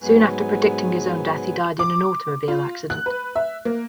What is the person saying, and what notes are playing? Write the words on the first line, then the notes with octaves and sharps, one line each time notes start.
Soon after predicting his own death, he died in an automobile accident.
G#2 F#3 G#3 B3 B4 G#5
D6
F4
F#6
B4
E5
A#3